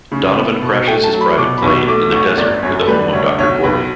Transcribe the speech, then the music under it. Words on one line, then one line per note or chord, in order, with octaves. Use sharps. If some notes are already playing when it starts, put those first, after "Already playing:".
Donovan crashes his private plane in the desert near the home of Doctor Cory.
C#3
B3
B2
A3 G5
A5
F#3
B5
B2 D6
B5
B1 C#6
A3 D6
A1 C#6
G1 D5
F#2 C#5
A4
G3 B4
D2 C#5
B1 C#5
B1 B4